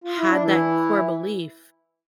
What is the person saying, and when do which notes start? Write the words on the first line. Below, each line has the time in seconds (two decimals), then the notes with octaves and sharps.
had that core belief,
0.04 F4
0.17 E4
0.30 D4
0.43 E3 E4